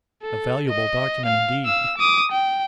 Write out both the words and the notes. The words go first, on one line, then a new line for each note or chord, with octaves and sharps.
'A valuable document, indeed!'
A4
D#5
F5
F5 E6
D6 D#6
G5